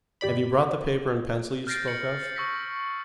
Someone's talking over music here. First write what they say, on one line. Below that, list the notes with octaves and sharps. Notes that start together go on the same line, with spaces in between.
Have you brought the paper and pencil you spoke of?
G1 G4 D5 B5
F6 G6 A6 A#6 C7 D7
C#7 F#7
C#6 E6 A#6 B6